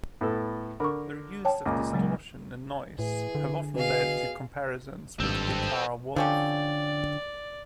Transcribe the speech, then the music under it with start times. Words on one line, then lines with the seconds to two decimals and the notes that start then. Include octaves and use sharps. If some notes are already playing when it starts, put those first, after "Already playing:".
Their use of distortion and noise have often led to comparisons to Guitar Wolf.
0.21 A2 B3 A4
0.80 D3 A#4 B5 C#6
1.45 C#5 G5 A5
1.65 C#2 A#2
1.93 C#3 F#3 G#3
2.99 A2 E3 G#4
3.35 D3
3.76 B2 G#4 F5
5.20 G#1 G2 C4 A4
6.16 D3 F3 C#4 G4 D5